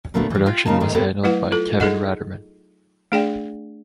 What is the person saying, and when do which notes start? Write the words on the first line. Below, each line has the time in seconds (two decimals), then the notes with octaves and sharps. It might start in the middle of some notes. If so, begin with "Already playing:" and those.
Production was handled by Kevin Ratterman.
0.14 A#2 D3 A3 B3 D4 F#4
0.30 E3 G3
0.46 F4 G5
0.66 C#3 A#3 D#4 A5
0.80 G#2 D#3 G#3 A3
0.94 B3 C4 G4 A4 A#4
1.24 F#3 A3 E4 B4 F#5
1.52 F4 A4
1.80 D#4 G#4 A4 D#5 F#5
3.12 A3 D4 G#4 D5 G5